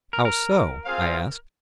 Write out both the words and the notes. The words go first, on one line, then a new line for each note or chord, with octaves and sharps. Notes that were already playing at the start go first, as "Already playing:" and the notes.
"How so?" I asked.
A#4
A#4
C4 F4 G#4 C5 F5